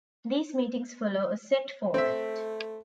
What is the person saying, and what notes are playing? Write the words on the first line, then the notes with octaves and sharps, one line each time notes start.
These meetings follow a set format.
A3 C4 E5